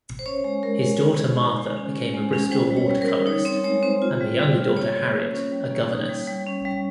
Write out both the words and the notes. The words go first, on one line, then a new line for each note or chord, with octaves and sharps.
His daughter Martha became a Bristol watercolourist, and the younger daughter Harriet a governess.
C5
C#4 C#5
G#3 C#5
G#3 A#4
G#3 A#4
G#3 C5
G#3
D#4
G#3
C#4
F4
G#3
C#4
G3 C5
G3
C#5
G3
A#4
G3
D#4 C#5
C4 C#5
G#3 C#5
C4 C5
F4
G3
G3
F4
A#3 C#5
A#3
C#4
C#4
G3
A#3
D#4
G3
G3
C#4
G3